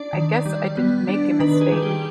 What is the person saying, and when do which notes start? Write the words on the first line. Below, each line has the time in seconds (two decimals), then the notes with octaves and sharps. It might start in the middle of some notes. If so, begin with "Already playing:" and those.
I guess I didn't make a mistake.
Already playing: D4 D5
0.13 D#3
0.45 G3
0.77 B3
1.09 D4
1.40 D#3 B4
1.61 G#4
1.72 G3
1.82 G4